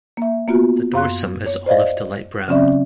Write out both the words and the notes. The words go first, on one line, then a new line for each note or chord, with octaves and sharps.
The dorsum is olive to light brown.
A#3 E5
A#3 B3 F4 F#4
F#2 F5 C6 F#6
C#5
C5 D5 D#5 F5
C#3 F#3 C4 C#4 D5 E5